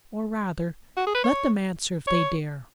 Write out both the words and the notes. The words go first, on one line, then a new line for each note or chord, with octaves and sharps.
Or, rather, let them answer if they dare.
F#4
G#4
B4
C#5
C#5